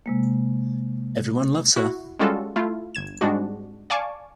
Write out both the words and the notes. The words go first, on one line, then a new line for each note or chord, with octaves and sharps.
Everyone loves her.
C3 G#3 A#3
E4 F#4
G3 G#3 C#4 F4 F#4 A4
A3 E4 F4
G1 G#6 E7
G#2 G3 G#3 C4 D4 F#4
D5 F5 G#5 A5 C#6 D6